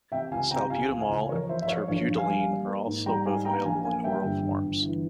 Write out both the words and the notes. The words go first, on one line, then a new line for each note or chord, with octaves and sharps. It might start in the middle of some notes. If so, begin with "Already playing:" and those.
Salbutamol and terbutaline are also both available in oral forms.
C3 E5 G5
C#2 F5 G#5
C3 G5 A#5
C#2 F5 G#5
C#2
F5 G#5
C#2
F3 A#4 C#5
F3 C5 E5
E5
F3 C#5 F5
A#1 C#5 F5
A#1
F5 G#5
G3
A#3
A#3
G#2
G3 G5 A#5
G#2 F5 G#5
A#3 G5 A#5
A#1 F5 G#5
A#3 F5 G#5
G3 E5 G5
G1
G1
G1
E3